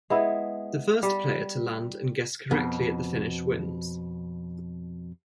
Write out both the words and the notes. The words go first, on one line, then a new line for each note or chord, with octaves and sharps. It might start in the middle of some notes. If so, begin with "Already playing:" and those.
The first player to land and guess correctly at the finish wins.
G#3 B3 E4
G3
F2 B2